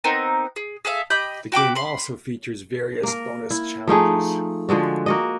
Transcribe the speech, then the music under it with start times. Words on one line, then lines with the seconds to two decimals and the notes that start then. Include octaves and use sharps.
The game also features various Bonus Challenges.
0.04 B3 C4 D#4 A#4
0.56 G#4
0.85 G#4 A4 E5 F5
1.10 G4 D#5 B5 G6
1.52 F#4 G5 B5 D6
1.75 B5 C6
3.03 A#3 A#4
3.50 E4
3.88 F3 A3 D#4 G#4
4.69 D3 F3 G#3 F#4
5.06 A#3 F#4 D#5